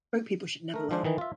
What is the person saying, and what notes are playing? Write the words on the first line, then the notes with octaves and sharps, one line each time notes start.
Broke people should never laugh!
A3 A#4
F3 G#3 D4 C5
D#3 E3 D#4
F4 E5